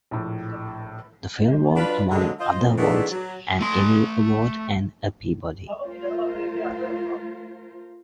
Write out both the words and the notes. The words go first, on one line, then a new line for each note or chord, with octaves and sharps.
The film won, among other awards, an Emmy Award and a Peabody.
A#1 A2
F#3 D4 F4 B4
D3 F#3 G#3
F4 C5 D#5
F2
D#3 E3 G#3 A3 B3 D4
F#3
A3 C6
A3 F4 A#4 C5